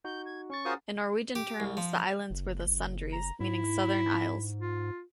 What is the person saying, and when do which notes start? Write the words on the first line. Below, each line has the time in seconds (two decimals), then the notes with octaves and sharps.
In Norwegian terms, the islands were the "Sudreys", meaning Southern Isles.
0.05 D#4 F#4 G6
0.26 G#6
0.50 C#4 C#6 A6
0.65 F4 F#4 G#4 A#4 C5 D#6
1.35 G4
1.60 C2
1.77 F3
2.30 F#1
3.13 A#5
3.40 G#2 E4
4.60 F4